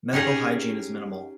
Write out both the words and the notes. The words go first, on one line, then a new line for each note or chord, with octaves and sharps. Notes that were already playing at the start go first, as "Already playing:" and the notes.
Medical hygiene is minimal.
C#4 D#4 G4 G#4